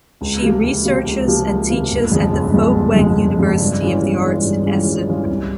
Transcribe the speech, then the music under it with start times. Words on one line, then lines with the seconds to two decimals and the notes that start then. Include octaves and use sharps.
She researches and teaches at the Folkwang University of the Arts in Essen.
0.21 C#2
0.42 C3 F3 A#3
0.63 C#2
0.85 C3 F3 A#3
1.06 C#2
1.27 C3 F3 A#3
1.49 C#2
1.70 C3 F3 A#3
1.91 G1
2.12 F2 C#3 F3 G#3
2.33 G1
2.54 F2 C#3 F3 G#3
2.76 G1
2.96 F2 C#3 F3 G#3
3.18 G1
3.39 F2 C#3 F3 G#3
3.60 G2
3.81 E3 G#3 C#4 F4
4.02 G2
4.23 E3 G#3 C#4 F4
4.44 G2
4.66 E3 G#3 C#4 F4
4.87 G2
5.07 E3 G#3 C#4 F4
5.29 C2